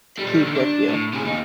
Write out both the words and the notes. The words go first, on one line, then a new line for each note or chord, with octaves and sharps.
to keep with you.
A#2 G3
D3 D#3
D4
A2
C3 G#4
D#2 D#4